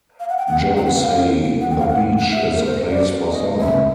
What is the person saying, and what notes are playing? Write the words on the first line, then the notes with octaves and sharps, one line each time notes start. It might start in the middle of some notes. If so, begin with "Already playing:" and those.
Joe say The beach is the place for summer.
F5
F#5
G5
F#5
G5
F#5
F5
F#5
G5
F5
F#5
F#5
E5
A#4
C5
D5
D#5
E5